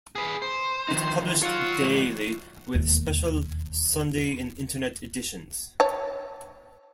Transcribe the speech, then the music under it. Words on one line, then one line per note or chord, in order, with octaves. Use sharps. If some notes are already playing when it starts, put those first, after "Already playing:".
It published daily with special Sunday and Internet editions.
G#4 B4
C5
D#3 F3 D#4
F4 C#5 F#5
G#2 E3 F#3
E1 D#2
C#5 A5